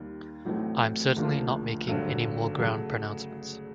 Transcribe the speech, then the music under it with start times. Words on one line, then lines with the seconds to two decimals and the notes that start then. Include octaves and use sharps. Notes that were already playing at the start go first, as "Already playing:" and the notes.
I'm certainly not making any more grand pronouncements.
Already playing: D#2 D#3 G3
0.45 A1 A2 F#3 A3 C4
1.16 D2 C#3 F3 A#3 D4
1.88 G#1 G2 D3 F#3 A3
2.59 C#3 F#3 A3